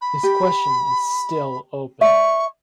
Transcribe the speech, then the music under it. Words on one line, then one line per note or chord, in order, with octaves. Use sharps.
This question is still open.
B5
G4
D5 E5 C#6